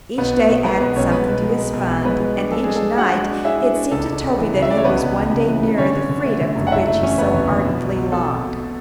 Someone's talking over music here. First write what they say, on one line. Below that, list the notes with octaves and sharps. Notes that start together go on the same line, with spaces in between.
Each day added something to his fund, and each night it seemed to Toby that he was one day nearer the freedom for which he so ardently longed.
B1 B3 B4
B2
B2
G#3 B3 B4
B1 B3 B4
B1 C#4 C#5
G#3 B3 B4
B1
G#3
B1
B1
B2
G#3 B3 B4
G#3
D4
G#3 A4
G#3 G#4
A4
G#3
D4 F#4 F#5
G#3
D4
E4 G#4 E5
D4
D4
C#2 A4
C#2
C#3
E3
C#3
E5
C#3 D5
C#5
C#2 B3 B4
C#2
C#2
C#3
E3
C#3
D3 C#4 C#5
D3
D3
A3
D3
F#1
F#5
F#1 E4 E5
A3
E2 C#4 C#5
F#1 B3 B4
E2
D3
B2
B1
B1
B2 A4
B2
B2